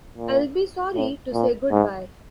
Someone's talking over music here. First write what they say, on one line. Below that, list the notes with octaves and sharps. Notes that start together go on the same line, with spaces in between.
I'll be sorry to say goodbye.
A#2
A2
A#2
G#2